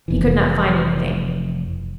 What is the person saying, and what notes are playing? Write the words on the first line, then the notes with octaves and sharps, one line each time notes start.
He could not find anything.
F1 E3